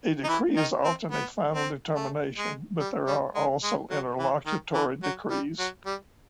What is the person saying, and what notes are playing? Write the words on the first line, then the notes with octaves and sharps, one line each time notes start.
A decree is often a final determination, but there are also interlocutory decrees.
D#4
E3 E4
D#3 D#4
C4
B3
C4
A3
G#3
G3
G3
G#3
G#3
F#3
E3
D#3
E3
F#3
G3
F#3
G3